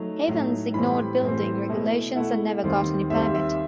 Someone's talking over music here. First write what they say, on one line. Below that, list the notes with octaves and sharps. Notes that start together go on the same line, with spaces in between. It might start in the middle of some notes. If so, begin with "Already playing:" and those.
Havens ignored building regulations and never got any permit.
Already playing: F#3 A3 D#4
A2 F#3 A3 D#4
A2 E3 G3 C4 B5
A2 E3 G3 C4
B2 A3 E4
B2 A3 E4 F#5
D#2 D#3 G3 C4
D#2 D#3 G3 C4 E5
E5